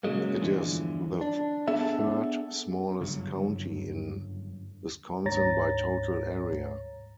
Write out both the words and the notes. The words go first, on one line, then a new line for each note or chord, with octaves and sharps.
It is the third-smallest county in Wisconsin by total area.
A#2 C#3 F#3 G#3 A#3
E2 G2 D3 E3 F3
D4
B3 D4 G#4 A4 E5
F#1 G2 D3 F#3
D2 G#2 C#5 A#5 A6 A#6